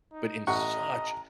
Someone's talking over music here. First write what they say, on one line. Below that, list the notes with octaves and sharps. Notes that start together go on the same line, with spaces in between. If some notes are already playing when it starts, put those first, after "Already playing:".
but in such
D#4
A1 D#5 F#5 A#5 C#6